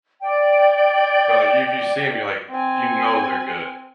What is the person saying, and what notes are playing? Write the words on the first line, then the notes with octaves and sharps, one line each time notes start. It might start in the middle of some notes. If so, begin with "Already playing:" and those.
but like if you see him, you're like, you know, they're good.
D5 G5
C4 G#5